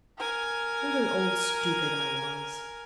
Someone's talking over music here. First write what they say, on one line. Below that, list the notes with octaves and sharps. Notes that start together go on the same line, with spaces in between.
What an old stupid I was!
A#4 G#5